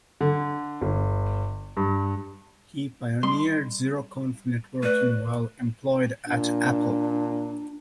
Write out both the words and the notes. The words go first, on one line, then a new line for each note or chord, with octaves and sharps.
He pioneered Zeroconf networking while employed at Apple.
D3
G1
G2
G3 C6
A3 B4 D5
A#2 D4